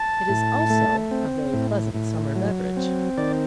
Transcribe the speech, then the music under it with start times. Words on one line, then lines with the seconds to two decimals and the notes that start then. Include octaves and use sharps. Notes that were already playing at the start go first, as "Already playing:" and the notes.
It is also a very pleasant summer beverage.
Already playing: A5
0.29 A2
0.70 A3
1.11 C4
1.53 A2
1.94 A2
2.36 F#3
2.77 C4
3.18 D#3 D5